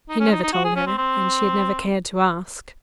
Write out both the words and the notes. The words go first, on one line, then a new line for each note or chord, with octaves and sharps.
He never told her, and she had never cared to ask.
D#4
C#4
D#4
D#4
F#4
G#4
C#4
C4
C4